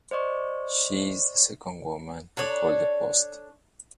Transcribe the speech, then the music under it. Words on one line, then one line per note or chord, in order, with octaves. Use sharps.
She is the second woman to hold the post.
C5 D5 D#5 C#6
D4 A4 C#5 D5